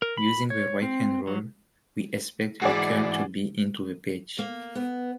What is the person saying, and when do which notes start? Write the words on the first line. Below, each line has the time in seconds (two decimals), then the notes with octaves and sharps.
Using the right-hand rule, we expect the curl to be into the page.
0.02 A#4
0.17 B5
0.50 C#5
0.82 C4
1.27 F#3
2.61 G#2 E3 F#4 G#4 D5
4.39 A#3
4.75 B3